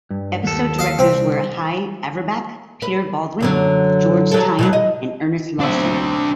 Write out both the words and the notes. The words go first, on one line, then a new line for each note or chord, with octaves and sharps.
Episode directors were Hy Averback, Peter Baldwin, George Tyne, and Ernest Losso.
G2
D#2 A4
D#5 F5
C2 C4
B4
F#2 D3 F#3
F#3 A4
B2 F3 F#3
D#5
B2 F#3 C4 D4 E5